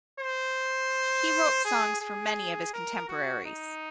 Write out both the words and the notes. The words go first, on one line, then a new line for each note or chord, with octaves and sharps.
He wrote songs for many of his contemporaries.
C5
G#4
G#4
A#4
F#4
D#4